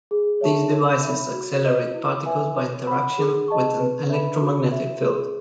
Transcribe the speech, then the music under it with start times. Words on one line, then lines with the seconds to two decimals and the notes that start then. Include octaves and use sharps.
These devices accelerate particles by interaction with an electromagnetic field.
0.11 G#4
0.41 C#5 E5 A5 C#6
0.71 C#5
1.03 E5 B5
1.33 F#4
1.64 B4 D#5
1.94 E4
2.26 B4 E5 G#5
2.56 C#5
2.87 F#5 B5
3.18 G#4
3.48 D#5 A5 C#6
3.79 B4
4.10 E5 B5
4.41 F#4
4.71 C#5 E5
5.02 G#4